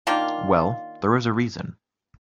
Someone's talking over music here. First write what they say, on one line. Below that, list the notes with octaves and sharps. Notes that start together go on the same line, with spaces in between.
Well, there is a reason.
D#3 A#3 D4 F4